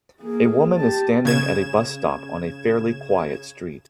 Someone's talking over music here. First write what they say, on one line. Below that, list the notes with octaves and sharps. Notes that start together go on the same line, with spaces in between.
A woman is standing at a bus stop on a fairly quiet street.
A#3 G#4
G4 A5
C#3 G#6 E7